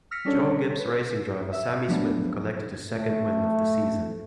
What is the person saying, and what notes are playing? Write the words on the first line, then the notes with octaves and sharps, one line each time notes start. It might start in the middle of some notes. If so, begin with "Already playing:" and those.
Joe Gibbs Racing driver Sammy Smith collected his second win of the season.
E6 F6 A#6 B6 C#7
G3 C#4 D4 A4 C#5
B4
E5 E6
F3 F#3 G#3 A3 B3 D4
A3